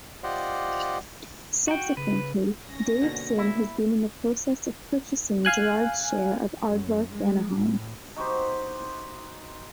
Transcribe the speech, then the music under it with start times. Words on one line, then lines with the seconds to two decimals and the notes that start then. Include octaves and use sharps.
Subsequently, Dave Sim has been in the process of purchasing Gerhard's share of Aardvark-Vanaheim.
0.23 F4 G4 C5 D5 D#5 F#5
1.68 F#4 G5
1.97 C#3 B4
2.67 G#1 C#4 A#6
3.02 B2 D3 A#3
3.38 A#3 E4
5.45 F5 G#5 F#6
6.66 F#2
7.13 G#3
7.55 A2
8.16 D#4 F#4 G4 C5